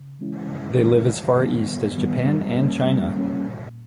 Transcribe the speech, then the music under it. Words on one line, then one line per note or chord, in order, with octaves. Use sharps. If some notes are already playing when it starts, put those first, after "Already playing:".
They live as far east as Japan and China.
Already playing: C#3
E3 G#3 C#4 E4
C#3
E3 G#3 C#4 E4
G2
D#3 G3 B3
G2
D#3 G3 B3
G3
A#3 C#4
G3
A#3 C#4
A#2